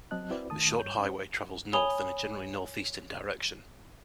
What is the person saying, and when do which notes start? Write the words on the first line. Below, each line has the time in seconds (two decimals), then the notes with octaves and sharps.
The short highway travels north in a generally northeastern direction.
0.11 F#3 C4 D#5 A5 F#6
0.30 C4 E4 F#4 B4 D5
0.50 D#3 A3 A5 D#6
0.77 G2 C#5 G6
0.99 C#4 C5
1.73 C#5 G#5 B5 D#6 F7 G7